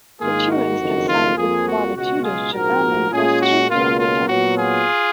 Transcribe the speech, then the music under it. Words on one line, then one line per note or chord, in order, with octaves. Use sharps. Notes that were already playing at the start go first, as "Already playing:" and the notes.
Couture instead signed with Vale Tudo Japan, and was stripped of the title.
G#2 D#3 A#3 D#4 F4 G#4
F#4
F#1 F2 D#3
F4
F2 F3 A#3 F4 G#4
F#4
C#2 B2 G#3 F#4
F4 G#4
A#1 G#2 F3 A#3 F#4 A#4
A#2 G#3 C#4 F4 G#4
F#4
C#2 B2 A#3 C#4 F4
F4
A#2 F#3 B3 F#4
F4 G#4